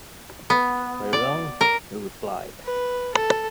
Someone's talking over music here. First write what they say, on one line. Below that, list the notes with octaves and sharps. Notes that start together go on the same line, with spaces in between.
Very well,” he replied.
B3
D5
A#4
B4
A4